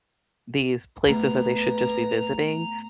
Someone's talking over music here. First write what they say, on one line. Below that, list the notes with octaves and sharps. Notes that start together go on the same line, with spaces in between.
these places that they should just be visiting.
A3 B3 A#5